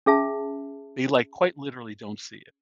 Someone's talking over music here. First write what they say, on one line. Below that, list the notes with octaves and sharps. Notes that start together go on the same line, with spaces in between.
they like quite literally don't see it.
C#4 G#4 E5 A5